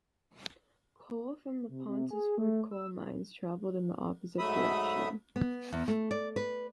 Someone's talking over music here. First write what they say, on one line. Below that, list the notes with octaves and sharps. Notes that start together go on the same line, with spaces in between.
Coal from the Pontesford coal mines travelled in the opposite direction.
C3
C3
G#4
A3
E6
G#2 F#3 A3 E5 B5 D#6
B3
E2
A3
D5
B4